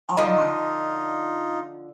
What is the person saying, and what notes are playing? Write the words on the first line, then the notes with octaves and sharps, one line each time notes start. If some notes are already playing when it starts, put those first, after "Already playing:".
Oh my
D3 F3 D#4 F4 D#5